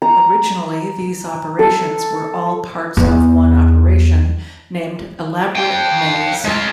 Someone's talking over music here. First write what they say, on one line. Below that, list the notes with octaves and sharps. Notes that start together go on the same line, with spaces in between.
Originally, these operations were all parts of one operation named Elaborate Maze.
A#5
A4
E2 B3
F5 G5
G#3 F4